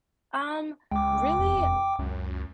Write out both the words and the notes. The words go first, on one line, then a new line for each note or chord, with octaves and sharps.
Um, really?
C#2 G#3 G5 D6
E1 F2
C#2 F#2